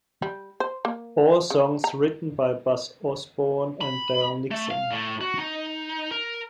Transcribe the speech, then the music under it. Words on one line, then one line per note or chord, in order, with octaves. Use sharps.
All songs written by Buzz Osborne and Dale Nixon.
G3
C5
A#3
C#3
A#5
B5
A3
F5
A2
F#4
D#4
A#4